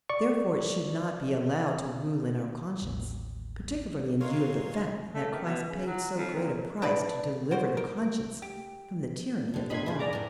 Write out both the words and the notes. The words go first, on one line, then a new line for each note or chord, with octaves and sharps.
Therefore it should not be allowed to rule in our conscience, particularly in view of the fact that Christ paid so great a price to deliver the conscience from the tyranny of the Law.
D5 C#6
A1 D#2
D#2 F#3 G#3 D#4 F4 C#5 F5 C6
A3
D#3
B2
C#3
F#3
F2
A#2
D4 B4 D5
F#4 A#4 C5
A#4
G4
D3 G3
G2 D4 D#5 B5 C6 G#6
F2 C#3
D5 A#5 D6
A2 E3